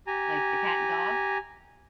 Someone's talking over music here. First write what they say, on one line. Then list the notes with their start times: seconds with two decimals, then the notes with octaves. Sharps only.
like the cat and dog,
0.07 G4 G#5 A#5